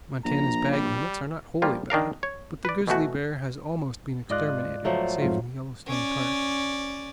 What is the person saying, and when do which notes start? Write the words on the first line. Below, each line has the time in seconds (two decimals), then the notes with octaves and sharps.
Montana's bag-limits are not wholly bad; but the grizzly bear has almost been exterminated, save in the Yellowstone Park.
0.25 A#1 A#5
0.71 G3
1.62 F3 G3 A#3 F4
1.90 D#3 D4 A#4 F5
2.23 C#5
2.65 B4 D5
2.88 B2 E3 A3 F#4
4.30 G#2 F4 D5 D#5 F#6
4.85 F3 F#3 A3
5.22 F2 G#2 F4
5.87 C#4 D5